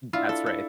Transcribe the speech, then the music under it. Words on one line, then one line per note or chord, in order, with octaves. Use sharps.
M that's right.
D4 E4 F4
A4
A4